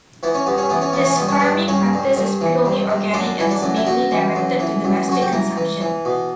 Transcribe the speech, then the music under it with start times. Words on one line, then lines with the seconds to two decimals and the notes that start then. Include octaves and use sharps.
His farming practice is purely organic and is mainly directed to domestic consumption.
0.23 E3 B3
0.34 C#4
0.46 G2 B3
0.58 C#4
0.70 E3 B3
0.81 C#4
0.93 E3 B3
1.05 C#4
1.16 G2 B3
1.28 C#4
1.40 G2 B3
1.68 G2 C#4
1.93 G2
2.17 G2
2.41 E3
2.65 G2
2.90 G2
3.14 F#2 D4
3.38 E3 E4
3.51 D4
3.62 F#2
3.76 E4
3.86 F#2 F#4
4.11 E3
4.35 F#2
4.59 E3
4.84 F#2
5.08 F#2 F#4
5.22 G4
5.32 E3 A#4
5.57 E3
5.81 E3
6.05 B2